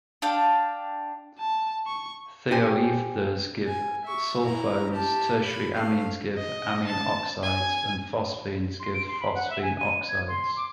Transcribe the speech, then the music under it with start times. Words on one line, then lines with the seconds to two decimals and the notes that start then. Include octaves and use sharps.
Thioethers give sulfones, tertiary amines give amine oxides, and phosphines give phosphine oxides.
0.22 D4 F5 G5
1.39 A5
1.87 C#6
2.51 G4 C5 G5 G#5
3.66 G#5
4.04 E5 C#6
4.42 E4 A#5
4.91 G4 A5
5.42 B5
5.73 A3 F5
6.38 D#5
6.87 A5
7.43 G#5
8.80 C6
8.94 D7
9.07 C6
9.21 B5
9.34 F#5
9.50 E5
9.62 G#5
9.79 D#7
10.08 G#6
10.28 C6
10.56 D6